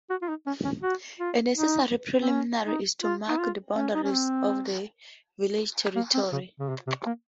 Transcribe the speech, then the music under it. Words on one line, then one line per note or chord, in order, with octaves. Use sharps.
A necessary preliminary is to mark the boundaries of the village territory.
F#4
F4
D#4
C#4
C#4
F#4
F4
D#4
C4
C#4
D#4
F4
D#4
F4
C#4
D#4
C#4
C4
A#3
C4
C#3
C#3
C3
C3
A#3